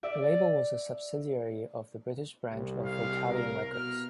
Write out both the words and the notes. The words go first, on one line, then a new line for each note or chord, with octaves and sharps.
The label was a subsidiary of the British branch of Vocalion Records.
D5 E5
C2
F5
A#4
B2 F6